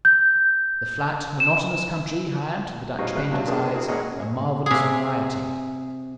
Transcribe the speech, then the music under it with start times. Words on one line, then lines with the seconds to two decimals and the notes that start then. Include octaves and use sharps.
The flat, monotonous country had, to the Dutch painter's eyes, a marvelous variety.
0.05 G6
1.40 E7
2.99 F#3 G3 C4 C#4 D#4 F4
3.15 A2 G3 F5 F#6
3.32 G2 F#3 D4
3.48 G#3 A#3 B3 D4 G#4
3.71 A#3 E4 F#4 G#4
3.88 G#1 A#2 C#4 G#4 D#5 F#5
4.66 C3 G#4